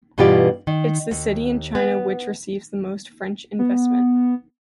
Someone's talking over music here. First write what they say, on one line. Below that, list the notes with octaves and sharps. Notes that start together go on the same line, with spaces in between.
It's the city in China which receives the most French investment.
G2 B2 E3 B3 F4 G4
D#3
D#2
B3
B3